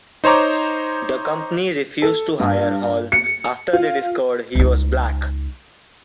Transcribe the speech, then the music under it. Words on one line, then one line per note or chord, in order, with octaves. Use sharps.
The company refused to hire Hall after they discovered he was black.
D#4 C5 C#5 A#5 D6
A4
G2
C#7
F4
C#2 D#4